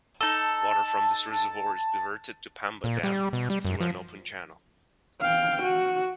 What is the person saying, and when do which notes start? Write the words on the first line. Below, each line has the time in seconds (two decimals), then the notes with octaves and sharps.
Water from this reservoir is diverted to Pamba dam through an open channel.
0.21 D#4 A4 A5
2.84 A#2
3.03 G3
3.33 B2
3.50 G3
3.65 F#2
3.80 F3
5.21 F5 G5
5.63 F#4